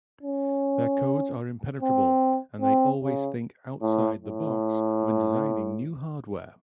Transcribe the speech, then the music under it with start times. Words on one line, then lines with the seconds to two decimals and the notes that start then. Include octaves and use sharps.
Their codes are impenetrable, and they always think "outside-the-box" when designing new hardware.
0.23 C#4
1.82 C4
2.61 C4
3.03 C#3
3.82 A2
4.22 A2